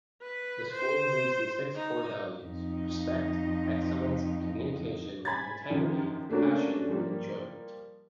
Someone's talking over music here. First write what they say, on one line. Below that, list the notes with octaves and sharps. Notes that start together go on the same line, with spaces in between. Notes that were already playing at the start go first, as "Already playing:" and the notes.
The school believes in six core values: respect, excellence, communication, integrity, passion and enjoyment.
B4
C5
D#4
F2 D#4
G#5 B5 G#6 A6
F#2 D#3 F3
A3 A#3 C#4 D4 F#4
F3 G3 A#3